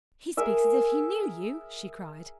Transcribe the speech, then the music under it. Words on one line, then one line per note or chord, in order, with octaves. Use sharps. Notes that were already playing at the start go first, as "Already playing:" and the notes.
"He speaks as if he knew you!" she cried.
G#4 A#4 E5